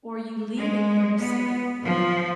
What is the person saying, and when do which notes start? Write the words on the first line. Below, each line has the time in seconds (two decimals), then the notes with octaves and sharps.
or you leave it in the soup
0.58 G#3
1.19 B3
1.85 F3